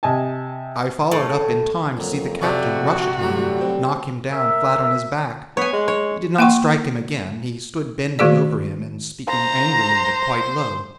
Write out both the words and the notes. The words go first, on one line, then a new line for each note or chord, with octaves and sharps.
I followed up in time to see the captain rush at him and knock him down flat on his back. He did not strike him again: he stood bending over him and speaking angrily but quite low.
C3 D#5 G#5 A5
A2
F2 A#2 F#3
C3 F3 F#4 D5 C#6
A2 D3 F#3 G3
C4
A#4 E5
B3 C#5 G#5
G#3
C#5
A#3 F#5 G5 C6 C#6
D#3 A3 F#4 G#4 D5
C5 A#5